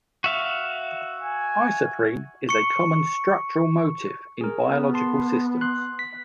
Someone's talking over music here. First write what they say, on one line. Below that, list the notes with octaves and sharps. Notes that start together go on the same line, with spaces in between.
Isoprene is a common structural motif in biological systems.
F#4 E5 F5
G#5
C#6 C#7
G#4 A#4
B3
A5 C6
C6 F#6
B6